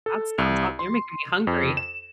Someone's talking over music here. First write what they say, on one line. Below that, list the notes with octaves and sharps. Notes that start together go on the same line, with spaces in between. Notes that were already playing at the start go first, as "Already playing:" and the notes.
That sounds aw You're making me hungry.
A4
C2
C6
F2
E7